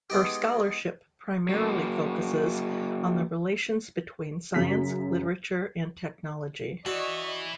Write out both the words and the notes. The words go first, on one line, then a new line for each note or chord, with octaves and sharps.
Her scholarship primarily focuses on the relations between science, literature, and technology.
G#3 B3 D#4 G4
F#3 A#3
F#2 C#3 B6
E3 E4 F#4 D5 D#5 C#6